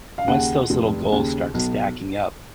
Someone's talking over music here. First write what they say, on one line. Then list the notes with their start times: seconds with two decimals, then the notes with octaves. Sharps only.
once those little goals start stacking up,
0.18 F5
0.27 D#2 C#3 F#5
0.70 F1
1.12 D#2 C#3
1.54 B1